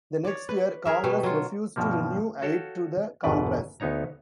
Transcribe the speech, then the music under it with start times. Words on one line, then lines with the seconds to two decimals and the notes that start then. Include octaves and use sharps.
The next year, Congress refused to renew aid to the Contras.
0.25 C#5 D5
0.49 B4
0.85 G#4 A#4 E5
1.04 B2 G3 A3
1.23 F#3 F4
1.76 G2 B2 F3 G3 A#3
2.42 F#4 A4 C#5 F5 G5
3.24 G1 E2 G#2 B2 B4 D5
3.80 D2 B3 D#4 C#5 A#5